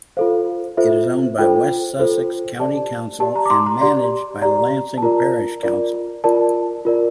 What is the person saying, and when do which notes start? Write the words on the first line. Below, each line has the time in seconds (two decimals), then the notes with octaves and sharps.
It is owned by West Sussex County Council and managed by Lancing Parish Council.
0.17 F4 A4 C5 F5
0.77 F4 A4 C5 E5
1.38 F4 A4 C5 G5
1.99 F4 A4 C5
2.59 G4 D5 A5
3.20 G4 D5 A5
3.36 A#5
3.46 D6
3.50 C6
3.66 A#5
3.81 G4 D5 C6
4.42 G4 D5 A#5
4.98 A5
5.03 F4 A#4 D5 A#5
5.63 F4 A#4 D5
6.24 F4 A#4 D5 A5
6.85 F4 A#4 D5